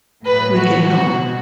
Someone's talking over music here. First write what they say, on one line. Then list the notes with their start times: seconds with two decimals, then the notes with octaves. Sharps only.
We can help.
0.24 A2 F#3 B4
0.57 F#4
0.88 B2 F#3 F#4